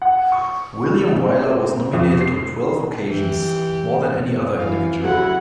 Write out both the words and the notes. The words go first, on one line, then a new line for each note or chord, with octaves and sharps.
William Wyler was nominated on twelve occasions, more than any other individual.
F#5
C#6
C4
F2
C7
E3 G4
E3 F5
C#3 F#3 E4 A4 F#5